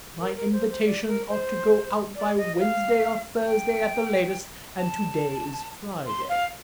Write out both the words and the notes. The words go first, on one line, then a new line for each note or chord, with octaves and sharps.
My invitations ought to go out by Wednesday or Thursday at the latest, and to-day is Friday.
A#4
A#4
C5
C5
D5
A#4
C5
D5
D#5
F5
G5
A5
C6
F5